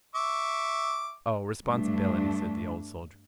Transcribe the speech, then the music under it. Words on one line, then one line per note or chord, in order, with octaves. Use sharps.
Responsibility!' said the Old Soldier.
E5 C#6 D6
G2 A3 D4